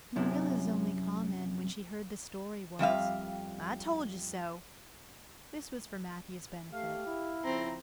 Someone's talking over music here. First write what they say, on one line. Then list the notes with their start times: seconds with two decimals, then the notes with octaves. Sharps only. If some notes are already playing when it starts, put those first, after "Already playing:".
Marilla's only comment when she heard the story was, "I told you so." This was for Matthew's benefit.
0.16 F#2 C3 E4
2.79 F2 G3 E5 F5
6.72 A3 G4 F5
7.06 E4
7.44 C#3 F3 C4 A#5